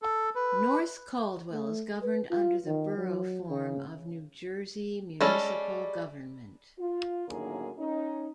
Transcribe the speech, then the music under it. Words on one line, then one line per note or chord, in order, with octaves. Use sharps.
North Caldwell is governed under the Borough form of New Jersey municipal government.
A4
B4
A3
B4
F4
D#3
F#3
C#3
G3 G#3 C#4 A4
F4
F#2 A2 D3 D#3 A#3 G#4
C#4 D#4